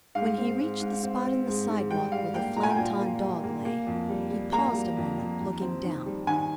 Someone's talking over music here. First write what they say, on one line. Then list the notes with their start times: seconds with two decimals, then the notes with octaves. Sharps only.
When he reached the spot in the sidewalk where the Flanton Dog lay, he paused a moment looking down.
0.15 G#2 F5
0.38 C4
0.60 G#2
0.81 G#2
1.03 C4
1.25 C4
1.47 G#2
1.68 G#2
1.90 G3 G5
2.12 G3 F5
2.34 A#3 G5
2.56 A#2 A#5
2.63 G#5
2.70 G5
2.76 A#2 G#5
2.99 A#3
3.21 G3
3.44 A#3
3.65 A#3
3.87 F2
4.09 G3
4.31 G3
4.52 A#3 A#5
4.74 G3
4.97 F2
5.18 F2
5.41 D#2
5.61 C4
5.84 D#3
6.06 G3
6.27 D#3 G#5